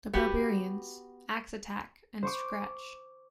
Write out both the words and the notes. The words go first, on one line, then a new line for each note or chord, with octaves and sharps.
"The Barbarians", "Axe Attack" and "Scratch".
B3 F#4 G4
C5 C#6 D6